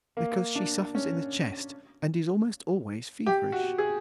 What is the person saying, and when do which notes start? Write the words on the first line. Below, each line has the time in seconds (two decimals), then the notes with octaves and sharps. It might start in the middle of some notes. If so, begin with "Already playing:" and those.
"Because she suffers in the chest, and is almost always feverish."
0.17 A#3
0.55 D4
0.95 C#4
3.26 G4
3.52 F#4
3.78 G#4